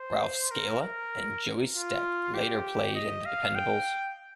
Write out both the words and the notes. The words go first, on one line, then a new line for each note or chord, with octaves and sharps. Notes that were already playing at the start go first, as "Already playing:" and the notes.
Ralph Scala and Joey Stec later played in The Dependables.
Already playing: C5
A#4
A#4
F4
G4
D#5
F5
G5